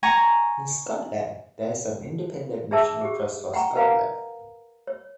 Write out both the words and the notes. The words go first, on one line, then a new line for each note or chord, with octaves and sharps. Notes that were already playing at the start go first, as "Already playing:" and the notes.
In Scotland, there is an independent National Trust for Scotland.
G#5 A#5 C#6
D4 G#4 E5 A5 E6
G4 G#4
F#5 G5 A#5 C#6
A#4 B4 F5 G#5 A#5
C#5